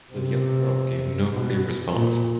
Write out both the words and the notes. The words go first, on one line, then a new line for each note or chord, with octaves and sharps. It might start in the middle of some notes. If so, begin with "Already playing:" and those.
The young girl gave no clear response.
C3
B2
A#2